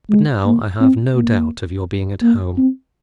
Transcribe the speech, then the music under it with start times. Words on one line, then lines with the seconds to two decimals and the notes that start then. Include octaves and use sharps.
But now I have no doubt of your being at home.
0.09 G#3
0.45 A#3
0.81 C4
1.15 A#3
2.22 A#3
2.58 C4